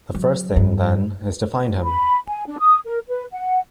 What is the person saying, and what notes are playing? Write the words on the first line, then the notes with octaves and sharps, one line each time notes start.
The first thing, then, is to find him.
F#3
G2
B5
G#5
D4
D#6
A#4
B4
F#5